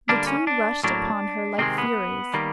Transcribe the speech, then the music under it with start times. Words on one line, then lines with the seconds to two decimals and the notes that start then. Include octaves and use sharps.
The two rushed upon her like furies.
0.09 D3 G3 A#3 D4
0.27 C#4
0.47 D4
0.84 A2 F#3 A#3 D4
1.58 C3 D#3 G#3 C4
1.78 B3
2.34 D#3 G3 A#3